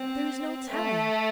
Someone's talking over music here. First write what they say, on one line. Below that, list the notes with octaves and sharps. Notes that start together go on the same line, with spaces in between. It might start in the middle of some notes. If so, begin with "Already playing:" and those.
'There is no telling.
Already playing: C4
A3